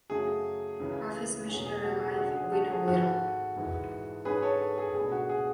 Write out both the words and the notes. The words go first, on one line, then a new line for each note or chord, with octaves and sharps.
Of his missionary life we know little.
F#2 C#3 F#3 A3 G#4
C#2 C#3 E3
E2 B2 F#3 C#4 G#4
G#4
F#4 A4
G#4
D2 C#3 G#3 D4 F#4
G#4
F#4 A4
G#4
G#1 G#2 G#3 F#4 A4
G#2 E3 G#3
G#2 G#3 C#4 G#4 B4
A4 C#5
G#4
C#2 B2 A3 D4 G#4
F#4
G#4